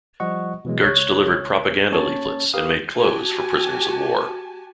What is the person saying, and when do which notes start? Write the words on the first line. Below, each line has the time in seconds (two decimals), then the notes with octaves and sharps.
Gertz delivered propaganda leaflets and made clothes for prisoners of war.
0.20 F3 G3 D#5 F#5 C#6
0.65 B2 E3 F#3 G#3
0.81 C#2 C#5 F#6 G#6
1.92 A#3 C#4 C#5 A5 A6
2.54 G4 A#4 B4 F5 D#6
2.97 F#4 G4 G#5 A5